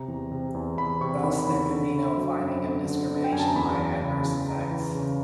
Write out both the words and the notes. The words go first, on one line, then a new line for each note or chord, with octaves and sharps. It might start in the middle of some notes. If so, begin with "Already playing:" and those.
Thus, there could be no finding of discrimination by adverse effects.
Already playing: C3 A#5
E2
C3
E2
E2 B5
C3 C#6
D#3 B5
E2 B5
D3
D3
F#3
F#2
D3
D3
D3
G5
F#2 G#5
A5
A#5
E2 B5
E2
C#3
E2
E3 A#5
E3
C#3